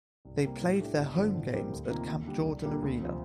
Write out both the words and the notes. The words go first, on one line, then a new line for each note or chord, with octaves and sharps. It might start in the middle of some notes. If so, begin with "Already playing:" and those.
They played their home games at Camp Jordan Arena.
C2
C3 G3 A#3
A2
A3 D4 G4
G1
G2 D3 F3
A2
G3 C4 G4 A#4
D2
C3 D#3 A#3 F4
D#2
D3 G3 D4 G4
C2
A#2 G3 A#3 D4
D2
C3 F3 C4 F4